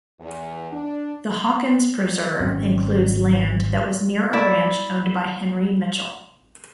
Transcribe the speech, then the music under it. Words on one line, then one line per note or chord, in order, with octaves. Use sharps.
The Hawkins Preserve includes land that was near a ranch owned by Henry Mitchell.
E2
D4
G#1 C4 C#4
E4 D5